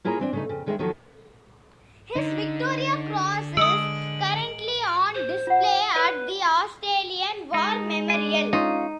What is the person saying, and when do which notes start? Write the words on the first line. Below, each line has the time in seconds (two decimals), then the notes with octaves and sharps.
His Victoria Cross is currently on display at the Australian War Memorial.
0.04 A#3 E4 F4 G#4 C#5 A#5
0.19 E3 C4 D4
0.33 C#3 A3 D#4
0.49 F2 C#3
0.66 D2 D#3 G#3 G#4 C5 E5
0.79 D#2 D#3 F3 F#3 F#4 A4
2.16 D3 D#4
3.57 G#3 D#6 E6 D7 F#7
5.15 C5
5.47 F4 F#5
5.95 B4 C#5 D5 B5
7.54 G#3 D#4
8.10 D4 G#5
8.53 C#4 D#4 F4 F5